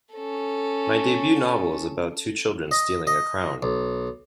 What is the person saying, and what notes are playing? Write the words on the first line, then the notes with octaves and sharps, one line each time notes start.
My debut novel is about two children stealing a crown.
C#4 A4
D#5
D#5
B1